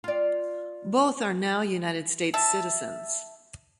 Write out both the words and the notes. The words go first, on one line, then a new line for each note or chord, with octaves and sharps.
Both are now United States citizens.
F4 D5
E5 A5